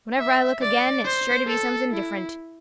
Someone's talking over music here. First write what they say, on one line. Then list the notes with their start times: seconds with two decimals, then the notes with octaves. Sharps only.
Whenever I look again, it's sure to be something different!
0.18 E5
0.61 D5
1.05 C5
1.47 A4
1.91 E4